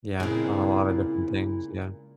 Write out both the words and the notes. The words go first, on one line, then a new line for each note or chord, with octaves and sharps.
Yeah, on a lotta different things, yeah.
A#2 C#3 G#3 C4 E4